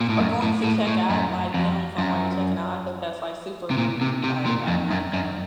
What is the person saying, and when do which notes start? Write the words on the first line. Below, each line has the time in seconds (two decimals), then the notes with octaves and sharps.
or going to check out, like, being on the phone while you're checking out, I think that's like super rude, like, I don't like that.
0.01 A#2
0.09 A2
0.20 F#2
0.42 A2
0.64 A2
0.87 A2
1.10 F#2
1.54 F2
1.98 F#2
3.70 C3
3.78 A#2
4.01 C3
4.24 C3
4.46 A#2
4.68 F2
4.91 F#2
5.13 F#2